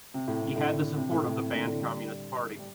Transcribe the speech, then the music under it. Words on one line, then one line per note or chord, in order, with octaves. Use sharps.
He had the support of the banned Communist Party.
C3
A2
C3
A2 D3
C3
A2
C3
A2
C3
A2 D3
A2 D3
D3 G3
G3